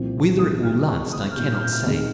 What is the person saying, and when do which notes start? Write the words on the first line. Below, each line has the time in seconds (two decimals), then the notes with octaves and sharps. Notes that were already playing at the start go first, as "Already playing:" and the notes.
"Whether it will last I cannot say."
Already playing: C2 A#2 F3 C4
0.39 G#2 D#3 G3 D#6
0.63 F6
0.87 F2 C#3 G#3 C#6
1.12 D#6
1.31 F6
1.36 A#2 G3 C4 D#4 G6
1.54 F6
1.61 G6
1.73 F6
1.85 F2 D#3 G#3 F6